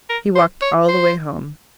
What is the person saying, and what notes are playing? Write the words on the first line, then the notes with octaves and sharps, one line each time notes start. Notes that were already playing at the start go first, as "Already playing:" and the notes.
He walked all the way home.
A#4
C5
C#5
C5